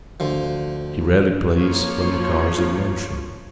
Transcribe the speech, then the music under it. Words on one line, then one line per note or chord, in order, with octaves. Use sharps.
He rarely plays when the car is in motion.
D2 F3
F3 A#3 F4 F#4 C#5